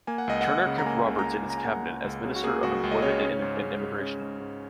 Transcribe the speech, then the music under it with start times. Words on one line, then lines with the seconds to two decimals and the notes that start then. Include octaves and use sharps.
Turner kept Roberts in his cabinet as Minister of Employment and Immigration.
0.07 A#3 G#5
0.18 F#5
0.28 C#2 D#5
0.41 F#5
0.47 C#2
0.66 C#3
0.78 A#5
0.86 A#3 G#5
1.05 C#2
1.19 A#5
1.25 C#2 G#5
1.45 C#3 A#5
1.58 G#5
1.65 A#3 F#5
1.85 C#2
2.04 C#2
2.25 C#3
2.36 F#4
2.44 A#3 G#4
2.63 C#2 F#4
2.83 C#2
2.91 D#5
3.02 C#3 C#5
3.23 C#4
3.42 G#2
3.62 G#2
3.81 G#3
4.01 C#4
4.21 G#2
4.40 G#2